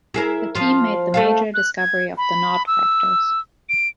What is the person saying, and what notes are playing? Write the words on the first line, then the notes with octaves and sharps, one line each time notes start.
The team made the major discovery of the Nod factors.
E4 G#4 A#4
F3 F4
A3 A4 F5
F#6
G#6
B5
E6
D7